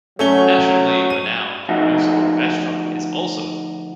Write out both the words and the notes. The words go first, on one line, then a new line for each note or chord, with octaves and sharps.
The nationally renowned Moosewood Restaurant is also in the mall.
F#3 A3 C#4 G7
D#7
D2 F3 D#4 F#4 E5